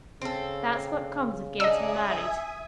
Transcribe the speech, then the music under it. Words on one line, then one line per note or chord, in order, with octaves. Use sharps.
That's what comes of getting married.
C#3 C4 A4
D4 D#4 D#5 E5 G#5 D#6 E6